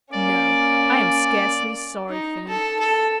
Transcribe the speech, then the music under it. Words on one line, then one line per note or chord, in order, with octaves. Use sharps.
No; I am scarcely sorry for you.
A#3 C#4 D5
D#4
A4
A4